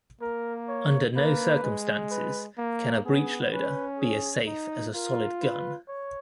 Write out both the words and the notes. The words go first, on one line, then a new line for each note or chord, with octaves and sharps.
Under no circumstances can a breech-loader be as safe as a solid gun.
A#3 A#4
C#5
A#3 B4
G#3
B4
A#3
B3 G#4
C#4 B4
G#4
D#4
F4 A#4
B4
C#5